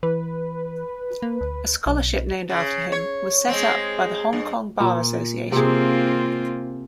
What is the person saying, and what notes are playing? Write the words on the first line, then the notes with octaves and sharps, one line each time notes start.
A scholarship named after him was set up by the Hong Kong Bar Association.
E3 B4
A#3
D2
B1
C#3
C#5
G#3 C4
G2
A#2
C3 A#3 C4 F4 G#4